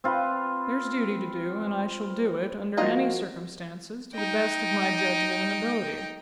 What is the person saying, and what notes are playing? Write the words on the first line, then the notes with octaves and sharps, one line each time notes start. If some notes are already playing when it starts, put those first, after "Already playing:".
There's duty to do, and I shall do it, under any circumstances; to the best of my judgment and ability.'
C4 F4 B4
F3 A#3 F4 F#4 D#5
D#4 G5